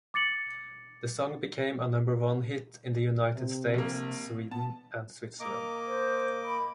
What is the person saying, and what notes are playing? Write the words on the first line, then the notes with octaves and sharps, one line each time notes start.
The song became a number-one hit in the United States, Sweden and Switzerland.
D6 A6 C#7 F#7
C3 C4
A#1 A#3
B3 A5
A#3 D#5 A#5 D6
C5
B5